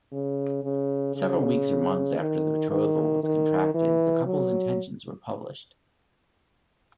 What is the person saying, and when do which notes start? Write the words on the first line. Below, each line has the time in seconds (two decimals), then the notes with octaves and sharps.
Several weeks or months after the betrothal was contracted, the couple's intentions were published.
0.12 C#3
0.64 C#3
1.16 C#3
2.20 D#3
2.71 D#3
3.23 D#3
3.74 E3
4.26 F#3